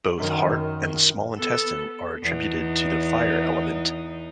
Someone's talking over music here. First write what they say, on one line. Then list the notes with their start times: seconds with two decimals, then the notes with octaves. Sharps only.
Both Heart and Small Intestine are attributed to the Fire element.
0.17 F#2 D#3
1.37 B3 A4
2.23 E2 D#4